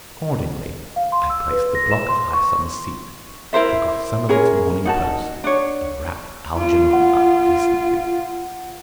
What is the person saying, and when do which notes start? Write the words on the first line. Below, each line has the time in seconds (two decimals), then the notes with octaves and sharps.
Accordingly, I placed the block of ice on the seat, took off some of its "Morning Post," and wrapped Algernon up decently.
0.96 F5
1.12 C6
1.30 E6
1.51 B4
1.75 A#6
1.91 E7
2.09 C6
2.33 C#6
3.53 E4 A#4 C5 E5
4.29 C#4 G#4 A#4
4.85 D#4 F#4 A5
5.44 D4 C#5
6.57 F4
6.93 F#5